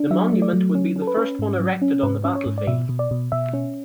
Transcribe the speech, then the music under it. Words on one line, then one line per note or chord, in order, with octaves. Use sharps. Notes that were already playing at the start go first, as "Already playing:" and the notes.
The monument would be the first one erected on the battlefield.
Already playing: D4
F#3 E5
A3
D5
F#3
C#4
C#4
A4
B4
C#4
G#2
F#3
C#4
G#2 B4
C#4
C#5
G#2
D5
B2 E5
B2
D5
B2
B2 E5
C#4